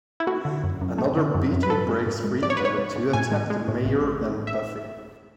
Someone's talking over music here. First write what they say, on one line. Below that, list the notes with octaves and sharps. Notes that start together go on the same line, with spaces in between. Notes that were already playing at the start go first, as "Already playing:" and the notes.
Another beetle breaks free and the two attack the Mayor and Buffy.
E4
A3 F#4
D3
F#2
F#2
A3
D3
F#2
F#2
B4
G#2 A4
G#3
G#2
G#3
G#2 D5
C#5
B4
G#2 C#5
G#2
G#2
A2 G#5
G#3
G#3
A2
A1
A1
A1
A2
E5